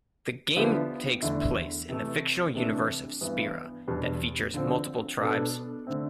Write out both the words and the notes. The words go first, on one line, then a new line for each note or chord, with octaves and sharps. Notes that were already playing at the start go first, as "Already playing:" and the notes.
The game takes place in the fictional universe of Spira that features multiple tribes.
D3 F3 B3 E4 G4
E2 D3 A3 E4
C3 E3 A3
C3 E3 A3 D4
G2 E3 B3
E2 B2 G3 B3 D4
D3 F3 C4
B2 B3 D4 A4
D3 A3 C4